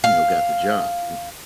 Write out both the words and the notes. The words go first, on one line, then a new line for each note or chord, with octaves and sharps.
you know, got the job, you know
F5